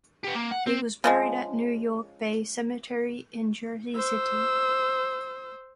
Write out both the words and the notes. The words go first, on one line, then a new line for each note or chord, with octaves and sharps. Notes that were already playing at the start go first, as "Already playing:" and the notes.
He was buried at New York Bay Cemetery in Jersey City.
B3 G4
A#3
F#5
C4
C#3 F3 G#3
C5 E6